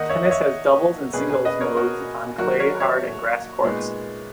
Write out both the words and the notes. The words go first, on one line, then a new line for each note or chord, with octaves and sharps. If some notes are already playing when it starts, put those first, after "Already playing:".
Tennis has doubles and singles modes on clay, hard and grass courts.
Already playing: D#3 A#3 D#4 D#5 F#5
C#5 E5
D#5
C#5 E5
B2 A#3 C#4 G#4 B4
G#4
B4 D#5
A#4 C#5
F#4 A#4
D#3 F#3 A#3 D#4 F#4 A#4
A#4 C#5
C#5 E5
A#2 G#3 B3 D#4